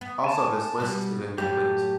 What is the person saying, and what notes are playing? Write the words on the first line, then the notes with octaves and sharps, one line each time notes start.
Also this list is incomplete.
B3
G#5 A5
B2 G3 B3
F#2 A2 G4